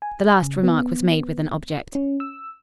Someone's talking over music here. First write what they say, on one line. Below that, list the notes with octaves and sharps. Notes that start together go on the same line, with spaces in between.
The last remark was made with an object.
G#5
C#3
B3
C#4
E6